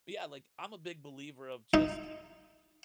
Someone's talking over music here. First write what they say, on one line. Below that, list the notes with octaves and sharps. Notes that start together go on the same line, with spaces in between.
but yeah, like, I'm a big believer of just
D#4